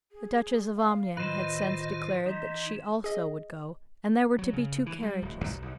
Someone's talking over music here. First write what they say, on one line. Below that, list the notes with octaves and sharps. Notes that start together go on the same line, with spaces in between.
The Duchess of Omnium had since declared that she also would go, and there were to be two carriages.
G#4
F5
A2 D#3 F4 B4 C5 D#5
E3 D#4 C6
G#4 D#5
F#3
C#3
E3
G3
D1
B1
B1